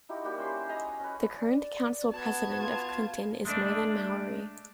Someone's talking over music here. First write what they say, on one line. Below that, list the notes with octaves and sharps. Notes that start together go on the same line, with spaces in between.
The current council president of Clinton is Merlin Mowery.
D#4 E4 F#4 G4
G3 A#3 F#4 G4
C#4 C5 B5 C6
D#5 G#5 A#5 B5
C#4 B4
D5
B3 F#4 A5 G#6
F4
G#3 A3 D4